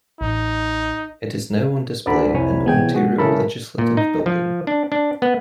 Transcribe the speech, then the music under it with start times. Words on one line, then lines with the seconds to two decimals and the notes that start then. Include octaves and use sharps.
It is now on display in the Ontario Legislative Building.
0.21 A1 D#4
2.06 D2 D3 B4 D5 A#5 B5
2.34 C2 F2 C#5 G#5
2.66 B2 E3 B3 G#4 G5 G#6
2.94 G#3 F#4 G#4
3.18 C#3 E4 A4 A#4 B5
3.78 A#2
3.97 D#4
4.26 F3
4.67 D4
4.92 D4
5.22 B3